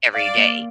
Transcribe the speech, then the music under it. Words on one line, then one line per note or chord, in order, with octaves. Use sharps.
every day,
D5 F5
A#3